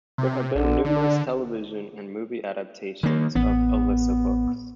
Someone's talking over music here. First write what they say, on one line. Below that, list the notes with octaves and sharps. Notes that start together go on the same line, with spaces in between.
There have been numerous television and movie adaptations of "Alisa" books.
C3
A#1 D3
D3 D4
D#3 A#3
A1 B3